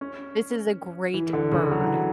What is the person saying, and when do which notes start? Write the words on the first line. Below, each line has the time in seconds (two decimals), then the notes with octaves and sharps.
this is a great bird.
0.01 C#4
1.14 E3
1.33 D3
1.52 C#3
1.71 F#3
1.80 E3
1.87 F#3